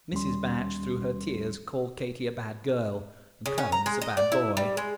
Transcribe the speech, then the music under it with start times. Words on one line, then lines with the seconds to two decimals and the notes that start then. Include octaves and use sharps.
Mrs. Batch through her tears called Katie a bad girl, and Clarence a bad boy.
0.12 D#2 D#3 G3 C#4 C6
3.46 C#3
3.58 C#4
3.72 A#5
3.86 G#3
4.01 D#5
4.17 D5
4.32 E4
4.57 G3
4.77 G#3